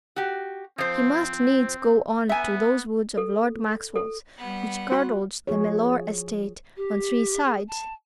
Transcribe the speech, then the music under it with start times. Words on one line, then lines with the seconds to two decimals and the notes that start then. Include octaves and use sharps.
He must needs go on to those woods of Lord Maxwell's, which girdled the Mellor estate on three sides.
0.16 F#4 G4
0.78 F3 C4 C5
2.29 B3 E5 G#5
3.17 A4
3.96 A4
4.37 G3 B3 F#5
4.92 F#4 B5 C6
5.47 F3 F#4 G#4 C#5
6.77 G4
7.45 G#4
7.68 A5